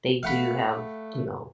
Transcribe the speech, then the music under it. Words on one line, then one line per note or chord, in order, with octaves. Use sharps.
they do have, you know,
A3 F5 F#5 B5